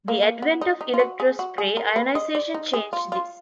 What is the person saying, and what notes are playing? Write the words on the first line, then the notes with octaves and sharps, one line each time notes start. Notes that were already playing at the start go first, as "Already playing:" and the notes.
The advent of electrospray ionization changed this.
A#3
A#3
B3
D#4
D#4
F4
F#4
G#4
F#4
G#4
A#4
B4
D#5
D5
D#4
G#4
F4
F4